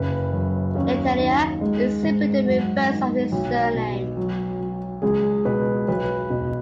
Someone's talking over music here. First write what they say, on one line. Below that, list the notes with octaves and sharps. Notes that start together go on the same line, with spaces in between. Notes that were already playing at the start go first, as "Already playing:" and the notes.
"Etteilla" is simply the reverse of his surname.
Already playing: F#1 B4
F#2
D#2 C#4
D#3
G#3
G#2
F#2 F#4
D#3
B1
B2
F#3
F#3
C#2 G#4
B2 B4
B1 B4
B2